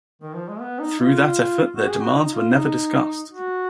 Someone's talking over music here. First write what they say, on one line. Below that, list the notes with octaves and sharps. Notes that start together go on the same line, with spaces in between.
Through that effort their demands were never discussed.
D#3
F3
G#3
B3
D#4
F4
F#4
G#4
F#4
D#4
F4
D#4
F#4